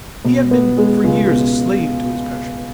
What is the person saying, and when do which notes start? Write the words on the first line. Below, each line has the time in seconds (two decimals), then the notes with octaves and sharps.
He had been for years a slave to his passion.
0.24 B2
0.51 B3
0.78 G#3
1.04 C#2
1.31 B2